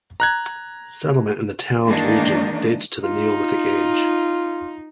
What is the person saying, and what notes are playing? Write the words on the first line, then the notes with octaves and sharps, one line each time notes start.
Settlement in the town's region dates to the Neolithic age.
A#5 F#6 G#6
D#3 E3 G#3 A#3 D4 D#4
D#4 F4